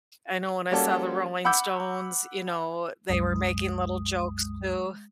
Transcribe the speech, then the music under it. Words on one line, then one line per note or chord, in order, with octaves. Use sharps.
I know when I saw the Rolling Stones, you know, they were making little jokes too.
G3 A#3 C#4 F#4 A4
F#5 B5 D6 E6 G6
C2 F#2 G#3 D#6